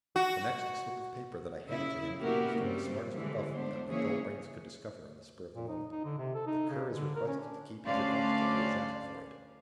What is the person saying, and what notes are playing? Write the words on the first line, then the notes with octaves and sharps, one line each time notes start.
The next slip of paper that I handed to him administered the smartest rebuff that my dull brains could discover on the spur of the moment: "The Cur is requested to keep his advice till he is asked for it."
F#4
C#3 E4
A#3 B3 E4 F#4 G4 A#4
G2 C#3 G3 C4
D3 E3 G3 G#3
B3 D4 C5
C#3 E3 A#3 G#4 C#5
A#2
D#4
D#4
D3
C3
A4
D#4
C#3
D3
A#4
C#4
D4
D2 C#4 D4 C5 D5 F5